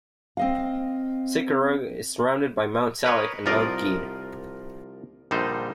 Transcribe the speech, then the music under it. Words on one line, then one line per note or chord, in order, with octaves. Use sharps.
Cicurug is surrounded by Mount Salak and Mount Gede.
C4 D#5 F5
A#4 B4 C#5 D#5
C2 F3 F4 A#4 D5 D#5
A#1 D3 G3 D#4 C5